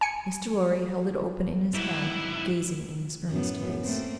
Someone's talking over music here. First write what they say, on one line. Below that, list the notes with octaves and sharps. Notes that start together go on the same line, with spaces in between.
Mr. Lorry held it open in his hand, gazing in his earnest face.
G#5 C#7
G#2 F#3 E4
F#2 A2 B3
A3 A#3 C4